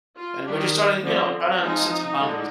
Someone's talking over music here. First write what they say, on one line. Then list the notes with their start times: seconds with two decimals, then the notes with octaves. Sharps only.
And we're just starting, you know, trying to set some boundaries.
0.16 F4
0.45 D#3 G3 D4 G4
1.03 D3 F3 C4
1.61 F3 G#3 C4 D#4
2.20 D3 G#3